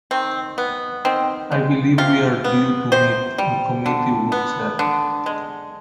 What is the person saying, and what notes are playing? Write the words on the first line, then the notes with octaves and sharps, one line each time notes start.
I believe we are due to meet in committee room seven.
D#3 C4
B3
D#3 C4
G#3
C3 F4
B3
C3 C5
G3
D3
B3
D3
G#3